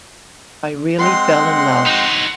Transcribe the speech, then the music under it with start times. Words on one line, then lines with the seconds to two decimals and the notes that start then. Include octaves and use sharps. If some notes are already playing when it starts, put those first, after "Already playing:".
I really fell in love.
1.00 G#3 C4 F#5 C6
1.86 D#4 F#4